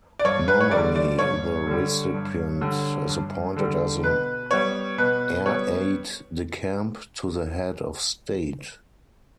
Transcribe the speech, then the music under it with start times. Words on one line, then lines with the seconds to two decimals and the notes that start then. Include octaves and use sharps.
Normally the recipient is appointed as an air aide-de-camp to the head of state.
0.19 D5
0.25 G2 C#5
0.48 B4
0.61 C#5
0.71 D3 G3 D5
0.96 D5
1.19 G2 C#5
1.66 D3 G3
2.14 G2
2.61 D3 G3
3.08 G2
3.56 D3 G3
4.04 B2 B4
4.51 G3 B3 C#5
4.98 B2 B4
5.46 G3 B3 C#5